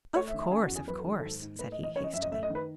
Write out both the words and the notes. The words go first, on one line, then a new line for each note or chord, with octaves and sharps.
"Of course; of course!" said he hastily.
A3 C#5
E5
D#3
E5
C#4 G#4
F#4
E2
G#4
F#3 B4
A4
D#3 G#4
G#2 A4
G#2
A3 B4
D#5
E3
D#5
C#4 C#5
D#5
F#2 E5
D#5
A3 E5
D#5
D#3
B4